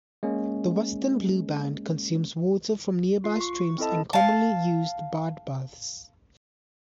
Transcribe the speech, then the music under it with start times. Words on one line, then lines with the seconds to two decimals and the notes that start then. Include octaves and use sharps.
The western bluebird consumes water from nearby streams and commonly used bird baths.
0.23 G#3 A#3 C#4
3.24 F4 C7
3.41 C#6
3.78 C4 E4 A4 D#5 A5
4.13 F5 A5